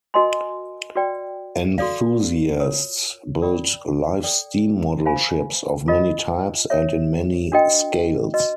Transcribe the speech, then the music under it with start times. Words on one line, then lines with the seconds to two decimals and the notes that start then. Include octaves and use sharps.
Enthusiasts build live steam model ships of many types and in many scales.
0.14 F#4 A#4 D#5 G#5 C6
0.96 F#4 B4 D5 G5
1.78 F#4 A4 D5 F5
2.60 F4 A#4 C#5
3.42 A#4 D5 G5 B5
4.23 A4 D5 G5
5.05 C5 F5 G#5 B5
5.88 F4 A#4 D#5
6.70 A#4 C#5 E5
7.52 D4 F#4 A#4 D#5 G5
8.34 F#4 B4 D#5